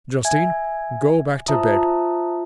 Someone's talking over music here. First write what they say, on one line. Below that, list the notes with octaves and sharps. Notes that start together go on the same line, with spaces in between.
Justine, go back to bed.
E5 G#5 G#6
F4 C5 E5 A5 A#5 D#6